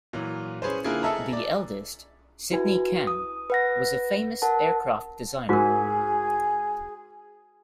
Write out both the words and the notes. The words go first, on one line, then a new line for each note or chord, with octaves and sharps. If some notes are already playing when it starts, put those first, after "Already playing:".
The eldest, Sydney Camm, was a famous aircraft designer.
A#2 E3 F#3
C#4 G#4 B4 C5
D3 A#3 E4 F4 G#4
G#4 A4 D#5 E5 A5 A#5
D5
E4 F#4 B4 G#5
D#6
B4 F#5 A#6
A#4 F#5 A5
G#2 F#4 G#4 A#4